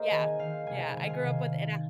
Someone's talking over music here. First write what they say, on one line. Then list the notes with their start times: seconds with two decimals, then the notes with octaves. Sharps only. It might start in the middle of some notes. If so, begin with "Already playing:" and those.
yeah, yeah, I grew up with and I
Already playing: A#3 G#4 A#4 C5 D#5
0.10 D#3 C4 G#5
0.38 D#3 C4 F5
0.67 C3 D#3 G#3 G#5
0.93 C3 D#3 G#3 G#5
1.04 F5
1.13 G#5
1.23 C3 D#3 A#3